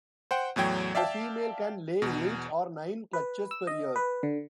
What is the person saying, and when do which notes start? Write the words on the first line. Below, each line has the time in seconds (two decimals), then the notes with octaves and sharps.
The female can lay eight or nine clutches per year.
0.31 C5 F#5 G5
0.56 E2 A2 F#3 G5 G#6
0.95 D5 E5 F5 G5 A5
2.02 E2 B2
3.13 B4
3.51 E6
3.67 D#5
3.96 B4
4.23 D3